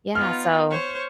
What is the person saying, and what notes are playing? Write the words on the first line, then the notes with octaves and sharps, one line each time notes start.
yeah so
B3 D#4 F4 F6
C5 C#5 C#6